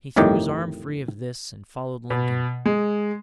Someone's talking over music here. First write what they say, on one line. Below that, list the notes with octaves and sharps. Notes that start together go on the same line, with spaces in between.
He threw his arm free of this and followed Lincoln.
G1 F2 A2 D#3 D#4 G4
B2
G#3